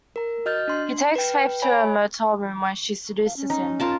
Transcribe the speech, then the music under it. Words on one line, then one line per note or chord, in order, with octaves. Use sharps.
He takes Faith to her motel room where she seduces him.
A#4 A#5
F#4 D#5 F6 G6 A6
D4 C6
B4 G5
C#5 E5 G#5 B5
F5
C#4
D#4
F4 A#4 A5